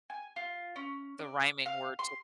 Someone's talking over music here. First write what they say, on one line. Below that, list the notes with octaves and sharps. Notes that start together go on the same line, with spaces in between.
the rhyming word, too?
G#5
F4
C#4
D5
F5
C6